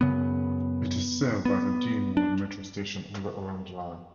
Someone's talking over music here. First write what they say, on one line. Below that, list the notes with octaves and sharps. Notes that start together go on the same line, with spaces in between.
It is served by the Deanwood Metro station on the Orange Line.
F#2 C#3 B3
B3
D4